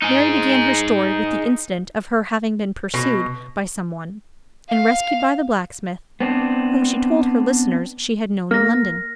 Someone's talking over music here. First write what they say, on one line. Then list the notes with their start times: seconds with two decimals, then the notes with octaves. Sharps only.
Mary began her story with the incident of her having been pursued by some one, and rescued by the blacksmith, whom she told her listeners she had known in London.
0.02 D#4 G#4
2.94 B2
4.69 F5
6.20 B3 C4 D4
8.51 A#3 F6 A#6